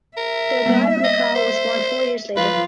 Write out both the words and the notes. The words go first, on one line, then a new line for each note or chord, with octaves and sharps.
Their daughter Michal was born four years later.
A#4 E5
G3 A#3 B3
D#5
C5
F3 F4 B4